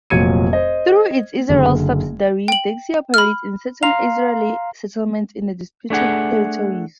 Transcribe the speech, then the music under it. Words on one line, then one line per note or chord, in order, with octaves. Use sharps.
Through its Israeli subsidiary, Dexia operates in certain Israeli settlements in the disputed Territories.
F1 A#2 F#3 G#6 C#7 D#7
C5 D#5
F#1 D3
G5 F#7
B5 F6
F5 A#5 C6 F7
A3 D4 G#4 F#5